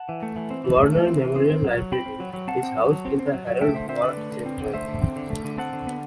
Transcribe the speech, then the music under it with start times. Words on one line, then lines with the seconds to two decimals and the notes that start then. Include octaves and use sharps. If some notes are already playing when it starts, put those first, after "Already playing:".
Warner Memorial Library is housed in the Harold Howard Center.
Already playing: F#5 A5
0.09 E3
0.23 A3
0.36 E3
0.51 C4
0.64 E3
0.79 A3
0.92 E3
1.07 C4
1.22 E3
1.36 C4
1.50 C4
1.64 F#3
1.77 F#3
1.92 C4 G5 B5
2.06 C4
2.20 F#3
2.34 F#3
2.48 C4 F#5 A5
2.63 C4
2.77 F#3
2.91 F#3
3.05 C4
3.19 C4
3.33 F#3
3.47 F#3
3.61 A3 E5 G5
3.75 D3 C5 E5
3.89 C4 C5 E5
4.03 D3 B4 D5
4.17 A3
4.32 D3
4.46 C4
4.60 D3
4.74 A3 C5 E5
4.88 D3
5.02 C4
5.16 D3
5.30 A3
5.45 D3
5.58 C4 F#5 A5
5.73 D3
5.87 B3